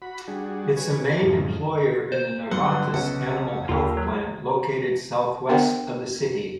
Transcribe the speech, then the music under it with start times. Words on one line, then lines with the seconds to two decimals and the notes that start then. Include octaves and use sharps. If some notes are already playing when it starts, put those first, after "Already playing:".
Its main employer is the Novartis Animal Health plant located southwest of the city.
0.02 F#4 B5
0.28 G3 D4 F#4 G#4
0.77 B4 C#5 G#5
1.22 F#2 A2 F3 G#3
2.12 C5
2.51 G2 D3 F#3 B4 F#5 C6
2.94 B1 C#3 C#4 F#5
3.69 D#2 A#3 F4 G4 A4 A#4 F5
3.97 F#3
5.49 B3 D4 A#4 C5 F#5 G5